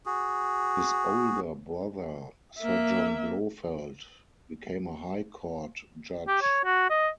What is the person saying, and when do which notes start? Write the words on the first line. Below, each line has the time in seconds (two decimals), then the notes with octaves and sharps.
His older brother, Sir John Blofeld, became a High Court judge.
0.06 F#4 G#4
2.60 A#3 E5
6.28 G4
6.42 C#5
6.65 F#4
6.90 D#5